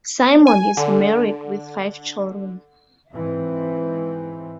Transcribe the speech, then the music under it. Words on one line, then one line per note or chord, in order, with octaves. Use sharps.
Simon is married with five children.
G#5
D3
G#2 E3 C4